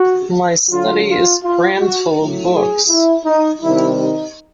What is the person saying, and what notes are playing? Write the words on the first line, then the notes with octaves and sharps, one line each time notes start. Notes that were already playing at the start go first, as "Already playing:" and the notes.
My study is crammed full of books.
Already playing: F#4
D3 F#3 F4
F4
F4
F#4
A2 F#3
G#4
E4
D#4
C3 D#3 G3 E4
D#4